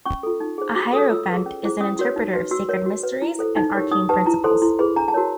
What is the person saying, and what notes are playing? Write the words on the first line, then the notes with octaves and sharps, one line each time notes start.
A hierophant is an interpreter of sacred mysteries and arcane principles.
C#4 C#6
F4 A4
D#4
G#4 C5
F#4 D6
A4 C#5 D#6
F4 E6
G#4 B4
C#4
E4 G#4 C5
C#4 D#6
F#4 A#4 C#5
D#4
F#4 B4
F#4 E6
A#4 C#5
F#4
B4
E4
A4 C5
D#4
G4 A#4 C#5
D#4 D#6
G4 B4 A5
E4 A#5
A4 C5 C6
E4 C6
G#4 B4 B5
D4 A#5
A5
F#4 A#4 C#5